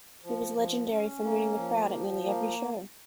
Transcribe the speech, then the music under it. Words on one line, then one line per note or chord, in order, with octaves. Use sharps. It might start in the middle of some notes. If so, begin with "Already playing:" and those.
He was legendary for mooning the crowd at nearly every show.
F3
F3
C#4
A#3
F3
F3
A#3